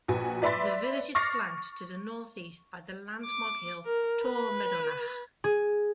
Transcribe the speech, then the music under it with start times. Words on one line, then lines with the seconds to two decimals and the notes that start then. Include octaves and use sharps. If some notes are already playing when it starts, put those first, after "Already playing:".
The village is flanked to the northeast by the landmark hill Torr Meadhonach.
0.08 A#1 F#4 B4 G#5
0.42 B4 D5 E5 B5 C6 A6
1.15 C#6 D6 F6 A6 A#6 C7
3.23 D6
3.86 A#4
4.22 B4
5.44 G#4